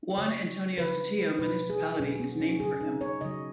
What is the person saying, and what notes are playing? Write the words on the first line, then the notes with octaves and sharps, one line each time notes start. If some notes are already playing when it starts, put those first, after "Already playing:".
Juan Antonio Sotillo Municipality is named for him.
C#3 F#3 C#5
C#3 F#3 B4
B2 F#3 B4
G#4
B2 F#3 C#4
B3
C#4
C#3 F#3 G#4
D#4
C#5
C#3 F#3 D#5